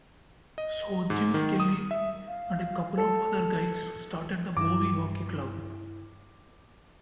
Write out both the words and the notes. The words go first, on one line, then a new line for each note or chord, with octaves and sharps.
So Jim Kelly and a couple of other guys started the Bowie Hockey Club.
D#5
G#2
D#3
D#6
E5
F5
A4
G2 E4 D6